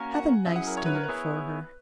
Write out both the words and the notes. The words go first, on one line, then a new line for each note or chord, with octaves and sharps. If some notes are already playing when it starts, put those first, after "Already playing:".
Have a nice dinner for her.
Already playing: A#3 C#4 F#4 A#4 C#5 G#5
F#5
F#3 C#4 E4 G#4 E5
F#5
A#4
C#5
B4
A#4
B4
B3 E4 G#4 C#5